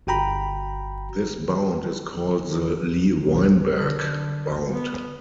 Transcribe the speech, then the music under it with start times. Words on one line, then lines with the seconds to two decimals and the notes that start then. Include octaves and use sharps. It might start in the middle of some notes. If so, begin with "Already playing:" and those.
This bound is called the Lee-Weinberg bound.
0.07 G1 F#4 G5 A#5 B5
3.24 B1
3.76 D3
4.72 B3